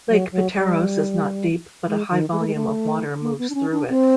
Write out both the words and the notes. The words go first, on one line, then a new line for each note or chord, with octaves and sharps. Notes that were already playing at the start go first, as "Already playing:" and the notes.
Lake Pateros is not deep but a high volume of water moves through it.
F#3
F#3
G3
G#3
D#3
G#3
A3
G#3
A3
A#3
B3
D4
C#4
D4
C4